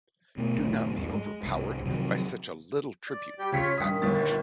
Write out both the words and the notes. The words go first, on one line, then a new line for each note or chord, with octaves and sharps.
Do not be overpowered by such a little tribute of admiration.
B2 A3
F#1 A#2 D#3 A3
E2 G#2
G#3
C2 G#2
C3 D#3 F3 F#3
D5
G3 G4 G5
C#3 F4 C#5 B6
G2 A#2 D#3 D#6
G1 A6